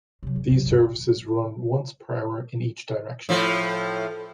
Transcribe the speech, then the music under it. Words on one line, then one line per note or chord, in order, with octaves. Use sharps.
These services run once per hour in each direction.
C3 F#3
E2
C3 F#3
G#1 F#2
A2 F3